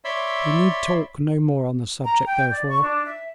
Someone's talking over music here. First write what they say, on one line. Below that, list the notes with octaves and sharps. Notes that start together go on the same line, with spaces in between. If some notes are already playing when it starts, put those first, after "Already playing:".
We need talk no more on the subject, therefore.
C#5 D5 E5 B5 C6 E6
A#5
G5
D5
C#6
D4
E5